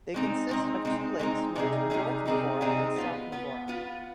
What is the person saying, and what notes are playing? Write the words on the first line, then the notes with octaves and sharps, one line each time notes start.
They consist of two lakes named North Mavora and South Mavora.
G#3 C4 D#4
G#3 C4 D#4
G#3 C4 D#4
G#3 C4 D#4
C3 G3 C4 D#4 G#4
C3 G3 C4 D#4 G#4
C3 G3 C4 D#4 G#4
C3 G3 C4 D#4 G#4
B3 F4 B4
B3 F4 B4
B3 F4 B4